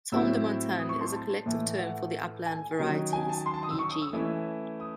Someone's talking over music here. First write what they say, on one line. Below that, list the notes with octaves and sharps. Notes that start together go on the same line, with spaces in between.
Tomme de Montagne is a collective term for the upland varieties, e.g.
A2 F#3 C4 E4 E6
D#6
C#6
C6
A5
A2 E3 A3
F#5
G#5
D#3 F#3 C#4
G#5
A5
C6
A5
D#6
E6
C#6
D#6
E6
E3 A3 C#4 E4
D#6